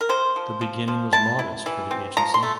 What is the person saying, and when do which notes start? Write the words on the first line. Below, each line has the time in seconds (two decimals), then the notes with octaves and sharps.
The beginning was modest for the agency.
0.01 A#4
0.09 C3 C5
0.36 F3
0.61 F3
0.88 F3
1.13 E4 A5
1.39 E4
1.66 E3
1.91 C4
2.17 F3 A#5
2.34 C6
2.43 A3